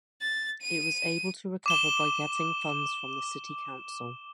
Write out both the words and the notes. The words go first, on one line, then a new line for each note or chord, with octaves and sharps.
It was able to recover by getting funds from the city council.
A6
D#7
D6 E7 G7